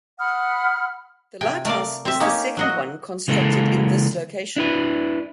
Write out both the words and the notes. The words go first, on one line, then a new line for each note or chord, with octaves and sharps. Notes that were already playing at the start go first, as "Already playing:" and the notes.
The lighthouse is the second one constructed in this location.
F#5 B5 D#6 F6
C3 G5 G#5
A3 A#4 D5 F5
C4 E5
A#3 C#4 D#4 G4
F#3 F#4 D#5
C#3 E3 G#3 A#3 A4
D4 E4 B4